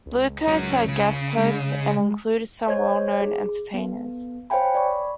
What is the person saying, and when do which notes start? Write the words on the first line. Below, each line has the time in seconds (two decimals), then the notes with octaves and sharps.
Bluecoats are guest hosts and include some well-known entertainers.
0.06 C#2
0.48 F#3 C#4
0.89 C#3
1.37 G#3
2.67 C5 C#5 D#5 G#6
3.22 G#4
3.74 B3 A4
4.50 C5 C#5 F5 G5 G#5 B5
4.75 D5 B5 C#6